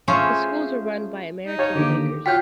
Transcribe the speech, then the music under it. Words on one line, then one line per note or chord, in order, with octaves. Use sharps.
The Schools were run by American Quakers.
A3 C#4 F4 G#4 C5 C#5
D#4
G4 C#5 F5 A5
D3 D#3 A#3 G4
F4 F#4 C#5 F#5 G5 G6 B6